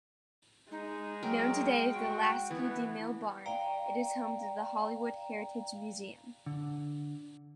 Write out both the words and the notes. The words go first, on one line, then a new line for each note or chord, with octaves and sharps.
Known today as the Lasky-DeMille Barn, it is home to the Hollywood Heritage Museum.
G#3 D#4
F#3 A#4 G5
F#4
E3 B3
D5 F5 G5 A#5
D3